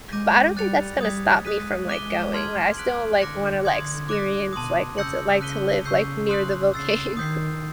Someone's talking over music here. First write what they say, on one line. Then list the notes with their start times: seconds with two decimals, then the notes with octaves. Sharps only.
but I don't think that's gonna stop me from, like, going, like, I still, like, wanna, like, experience, like, what's it like to live, like, near the volcanoes.
0.12 G#3 D6 G6 A#6 D#7
0.57 G3 F#6 A6 C#7 F7
1.01 G3 D#6 G#6 B6
1.45 G#3 D#6 F#6 B6 D#7
1.88 G#3 D6 F#6 B6 D#7 G7
2.33 A5 C6 F6 G#6
2.77 F#6 B6 D7 F#7
3.21 D3 D6 F#6 A#6 C#7
3.65 D3 C6 D#6 G#6
4.09 D6 F#6 A#6
4.53 B2 A5 C6 D#6
4.97 C#3 E6 G6 A#6 C#7 F#7
5.41 F#6 B6 D#7 G7
5.85 C#3 C#6 E6 G6 C7
6.29 C6 D#6 F#6
6.73 C#3 E6 A6 C7
7.17 D#3 D#6 G6 C7